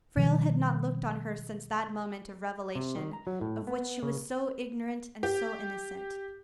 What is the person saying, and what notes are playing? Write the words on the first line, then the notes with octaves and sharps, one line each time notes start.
Frale had not looked on her since that moment of revelation, of which she was so ignorant and so innocent.
B2 D#3 F3 G3
C3
D#3
A#5
F#3
A2
B3
C#3
G4